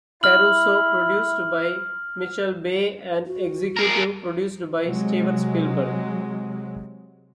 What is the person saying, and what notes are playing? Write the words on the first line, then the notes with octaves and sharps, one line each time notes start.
Caruso, produced by Michael Bay and executive produced by Steven Spielberg.
E4 F6 F#7
F#4
G#4 A#4
C3 F#3 G#3